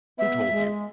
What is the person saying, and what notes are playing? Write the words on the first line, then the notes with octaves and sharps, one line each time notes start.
"Who told you?"
B3 E5
G#3